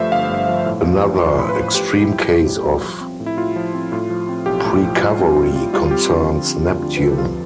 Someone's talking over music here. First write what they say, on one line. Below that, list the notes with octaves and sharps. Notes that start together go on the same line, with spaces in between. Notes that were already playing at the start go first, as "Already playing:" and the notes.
Another extreme case of precovery concerns Neptune.
Already playing: G2 F3 A3 C5 E5
G1 F5
G2
F3
A2
F3
A1
A1 C6
A2 B5
B4
F3 C5
A2 G4
G3
E4
B1
B1
A2
G3
F3
C4
A2
E4
A2 F4
F3
C4
A2 F4
F3
C4
B1 G4
A2
F3
G3 F4
C4
A2
A2 F4
G3 F4
C4 G4
D3 F4
F3
C4
D2
D3
B4
F3 A4
G4
F2 F4